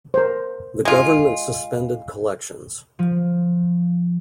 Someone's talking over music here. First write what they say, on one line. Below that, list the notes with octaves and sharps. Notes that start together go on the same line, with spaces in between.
The government suspended collections.
A#4 C5
G#3 F4
F3